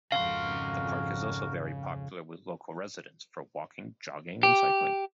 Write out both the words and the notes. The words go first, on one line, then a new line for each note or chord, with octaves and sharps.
The park is also very popular with local residents for walking, jogging and cycling.
G#1 F2 C#3 F#4 A#4 F5 C6
G4